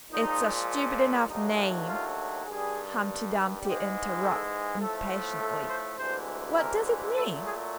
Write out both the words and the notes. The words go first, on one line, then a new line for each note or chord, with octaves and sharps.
'It's a stupid enough name!' Humpty Dumpty interrupted impatiently. 'What does it mean?'
A#2 F3 G#3 D#4
D#2 D3 F#3 A3 D#4
F4
G2 D#3 G3 G#4
G#2 E3 G#3 G4
A4
A2 F3 A3 A4
A4
C5
D2 C3 E3 G#3 C5
A#4
A#2 F#3 A3 A4
G#4